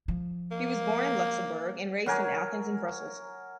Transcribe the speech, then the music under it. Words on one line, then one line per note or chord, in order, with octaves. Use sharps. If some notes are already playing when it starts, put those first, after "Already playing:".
He was born in Luxembourg and raised in Athens and Brussels.
F3
A#3
F#3 A#4 G#5 D6